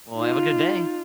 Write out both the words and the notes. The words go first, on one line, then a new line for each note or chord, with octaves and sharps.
Well, have a good day.
D#4 F4